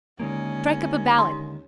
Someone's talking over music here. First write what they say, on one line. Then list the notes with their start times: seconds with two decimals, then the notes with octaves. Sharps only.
Strike up a ballad.
0.20 D#2 D3 G#3 A#3 C#4
1.19 C6